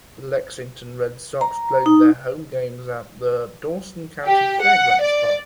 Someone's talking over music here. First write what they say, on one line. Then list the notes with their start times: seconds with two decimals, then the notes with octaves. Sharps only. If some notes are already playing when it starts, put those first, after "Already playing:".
The Lexington Red Sox played their home games at the Dawson County Fairgrounds Park.
1.41 A#5
1.86 D#4
4.25 G4
4.61 F#5
5.02 D5